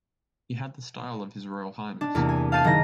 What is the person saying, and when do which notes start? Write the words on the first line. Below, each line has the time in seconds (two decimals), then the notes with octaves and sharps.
He had the style of His Royal Highness.
2.01 D4
2.15 E2 C3 A#3
2.29 G#5
2.52 F5 A5 G6 A6 C7 D#7
2.64 F#1 D#3 A#3 A#5 A#6